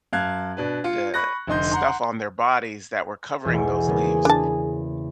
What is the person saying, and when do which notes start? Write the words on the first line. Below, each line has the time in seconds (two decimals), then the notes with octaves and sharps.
the stuff on their bodies that were covering those leaves,
0.13 F#2 F5 A5 F#6 G#6
0.57 B2 D4 B4
0.84 F4 C#7
1.14 B5 C#6 F#6 A#6
1.47 F1 D3 D#4 C6 G6
1.71 F#5 A#5 C6
3.45 B1 E2 G#4
3.87 C#3 A#3 B3
4.25 D4 A5